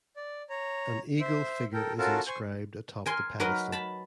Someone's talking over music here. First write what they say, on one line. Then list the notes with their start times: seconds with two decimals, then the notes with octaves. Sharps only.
An eagle figure is inscribed atop the pedestal.
0.17 D5
0.50 C#5 A#5
1.20 C5 E5
1.73 A4 A#4 G5
1.98 C#4 F4 F#4 A4 A#4 A5
2.28 C5 G#5 C#6
3.06 A#4 G#5 C6
3.40 F#3 A#4 B4 D#5 F#5
3.72 A5 B5